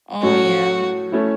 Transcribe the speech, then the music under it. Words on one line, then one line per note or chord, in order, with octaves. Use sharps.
Oh yeah.
A2 F#3 A3 C#4 F#4
A3 C#4 E4